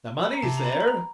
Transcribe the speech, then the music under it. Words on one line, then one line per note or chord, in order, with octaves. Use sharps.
"The money's there."
B5
A#5
C3 A5
A#5
B5
A#5
B5
A#5